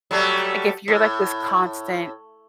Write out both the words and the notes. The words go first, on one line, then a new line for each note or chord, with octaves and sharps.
Like, if you're, like, this constant,
F#3 G3 A3
A2